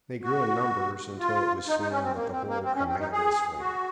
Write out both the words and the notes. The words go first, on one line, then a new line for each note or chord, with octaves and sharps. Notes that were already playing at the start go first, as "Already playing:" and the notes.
They grew in numbers until it was seen that the whole command was fleeing.
F#4
F4
D#4
D#4
C#4
C4
A#3
C4
A#3
C4
C#4
C4
D#4
G#4
F#4